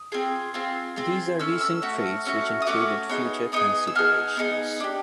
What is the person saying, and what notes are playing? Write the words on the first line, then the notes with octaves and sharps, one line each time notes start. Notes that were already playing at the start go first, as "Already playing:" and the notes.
These are recent trades which included "future considerations".
Already playing: D#6
C4 F4 G#4
C4 F4 G#4
C4 F4 G#4
A3 C#4 E6
E6
A3 C#4 F#4
A3 C#4 F#4
D#6
A3 C#4 F#4 D6
B3 D#4 G#4
B3 D#4 G#4 D#6
E6
B3 D#4 G#4 F6
B3 D#4 G#4
D4 G4